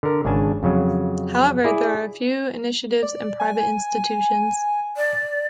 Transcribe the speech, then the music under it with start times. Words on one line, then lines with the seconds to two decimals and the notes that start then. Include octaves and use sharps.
However, there are a few initiatives and private institutions.
0.03 D3 A#4
0.25 G#1 C#3 D4 G#5 A5
0.63 F2 C#3 F#3
1.64 E4 G#4 D5
3.02 D5
3.40 G#5
4.97 D5